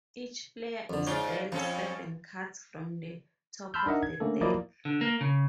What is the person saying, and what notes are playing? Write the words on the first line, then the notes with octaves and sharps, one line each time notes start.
Each player is dealt seven cards from the top of the deck.
F2 D3
G#2 F4 C#5 D5
F2 F3 C#4 A4
A5 B5 C6 E6 F6 G6
D4 D#4 A#4 D#5 E5 F#5
G#6
D3 A3 A#3 C#4 A4
F3 F#3 A#3 E4 D5 D#5
D3
A#3
C#3